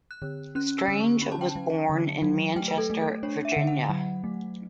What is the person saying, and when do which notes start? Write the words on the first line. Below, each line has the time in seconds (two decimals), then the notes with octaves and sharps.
Strange was born in Manchester, Virginia.
0.11 F#6
0.22 D3
0.55 C#4 F#6
0.78 E6
0.88 D3
1.00 C#6
1.22 C#4 B5
1.31 A5
1.41 G5
1.49 A5
1.56 F#3
1.89 D3
2.22 F#3
2.56 A3 G5
2.68 B4
2.78 A4
2.90 A3
3.01 A4
3.23 D4 C#5
3.45 E5
3.52 F#5
3.56 D3 E5
3.67 F#5
3.89 F#3
4.24 A3